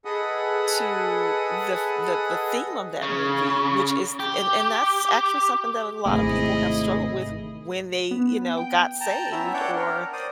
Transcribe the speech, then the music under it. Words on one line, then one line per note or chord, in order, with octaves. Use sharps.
to the f the the theme of that movie, which is th and and that's actually something that a lot of people have struggled with when they, you know, got saved or
G#4 A4 B4 D#5 F#5 D#6
C#3
G4
G#1 C3 A3 E4 G#4 D#5
B3
G5
G5 A5 A#5
B3 C#4 E4 E5 A#5
D4 C#5 D5 F#5 G5
A#4
C5 D5 D#6